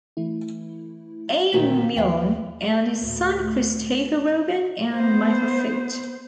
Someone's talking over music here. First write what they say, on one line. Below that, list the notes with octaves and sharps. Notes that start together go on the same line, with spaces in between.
A. Milne and his son Christopher Robin, and Michael Foot.
E3 A3 E4
D2 A#2 D#3 B6
D#2 E3 F5 G5
D2 A2
B3 C5